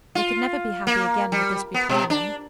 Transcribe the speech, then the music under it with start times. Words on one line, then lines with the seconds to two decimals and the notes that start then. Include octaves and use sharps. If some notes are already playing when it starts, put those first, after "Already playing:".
They could never be happy again with this between them.
0.15 F4
0.87 A#3
1.32 G3
1.74 B3
1.89 B2
2.10 D4